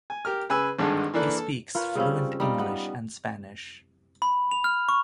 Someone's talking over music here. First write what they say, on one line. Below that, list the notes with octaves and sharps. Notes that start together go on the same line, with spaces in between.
He speaks fluent English and Spanish.
G#5
G4 A#4 F6
C#3 B4 G#5 E6
G#1 G2 D3 G#3
E3 A#3 D4 A4 B4
A4
F4 A#4 B4 C#5
C#3 G3 C4 C#4
G3 D#4 F4
B3
B5
F7
F6
C#6